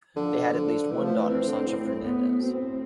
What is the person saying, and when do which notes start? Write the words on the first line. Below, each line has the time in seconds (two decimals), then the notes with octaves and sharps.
They had at least one daughter, "Sancha Fernandes".
0.16 D3 F3
0.54 D3
0.91 E3 A3
1.04 F3
1.16 E3
1.29 E3 C4
1.47 D3
1.67 A2
2.04 B3
2.41 B2 C4
2.60 A2